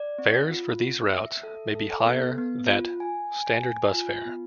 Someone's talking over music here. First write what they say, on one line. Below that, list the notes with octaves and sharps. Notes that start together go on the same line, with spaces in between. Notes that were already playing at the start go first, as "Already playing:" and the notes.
Fares for these routes may be higher that standard bus fare.
Already playing: D5
C4
F4
C4
E5
A4
A4
B3
B3
F4
G#5
G#5
G#5
F4
B3